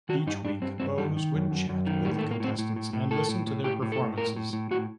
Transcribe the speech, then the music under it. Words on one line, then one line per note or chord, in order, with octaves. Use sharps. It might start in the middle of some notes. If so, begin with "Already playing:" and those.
Each week, Bowes would chat with the contestants and listen to their performances.
D#3 F#4
G2 D#4
G2 D4
G2 C4
G2 C4
D#3 G3
D#3
F#2
F#2
F#2
D#3
A2 G3
A3
A2
A#3
A2 C4
A2
A2
A2
A2 A4
A2
A2
A2 G4
A2
A4
A2
A2 A#4
A2
A2
A2 F#4